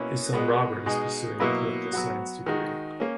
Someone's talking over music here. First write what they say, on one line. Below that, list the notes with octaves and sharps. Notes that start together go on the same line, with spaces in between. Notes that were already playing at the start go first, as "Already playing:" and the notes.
His son, Robert, is pursuing a political science degree.
Already playing: B2 A#3 C#4 E4 B4
B2 G#3 B3
B2 G#3 D#4 G#4
B2 F#3 A#3 E4 B4
F#3 B3 F#4
D#3 G#3 D#4 F#4
A#3 C#4